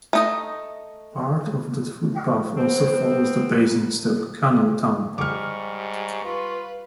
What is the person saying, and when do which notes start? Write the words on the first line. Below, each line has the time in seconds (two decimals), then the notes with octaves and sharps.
Part of the footpath also follows the Basingstoke Canal towpath.
0.13 A3 D#4 D#5
2.58 B3 C4
5.18 G#2 G3 C#6 D6 F6
6.25 F4 B4